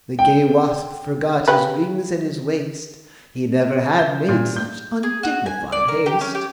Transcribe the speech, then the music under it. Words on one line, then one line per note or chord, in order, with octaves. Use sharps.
The gay wasp forgot his rings and his waist, He never had made such undignified haste.
G5
C#3 G4 B4
G6
A#2
G6
G#4
F#4
G#5
D5
A#4
G4
C#4
G4